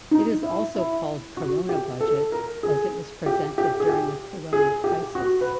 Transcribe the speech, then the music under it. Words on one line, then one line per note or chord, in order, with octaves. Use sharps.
It is also called Corona budget as it was presented during the Corona Crisis.
D#4
E4
E4
F#4
G4
A4
A#4
G#4
G4
G4
G#4
G4
G#4
G4
F#4
B4